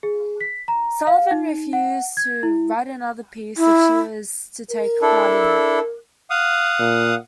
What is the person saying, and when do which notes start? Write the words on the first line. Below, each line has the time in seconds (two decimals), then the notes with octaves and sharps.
Sullivan refused to write another piece if she was to take part in it.
0.03 G#4
0.41 B6
0.68 A#5
1.07 F5
1.31 D#4
1.73 F#5
2.17 G#6
2.43 E4
3.57 E4
4.71 A#4
5.02 D4 E4 A4
6.30 F5 F#5 D#6
6.79 A#2